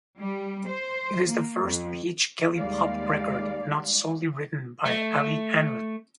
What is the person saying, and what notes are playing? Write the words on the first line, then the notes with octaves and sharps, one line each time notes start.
It is the first Peach Kelli Pop record not solely written by Allie Hanlon.
G3
C5
A#3
F2
D#2 G3 G#3 D5 F5
A3